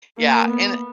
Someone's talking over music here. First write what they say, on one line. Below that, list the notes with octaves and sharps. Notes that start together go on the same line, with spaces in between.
Yeah, and it
A#3
B3